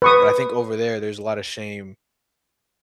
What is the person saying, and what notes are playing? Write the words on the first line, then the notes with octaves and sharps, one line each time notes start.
but I think over there, there's a lotta shame
B4 C#6 D#6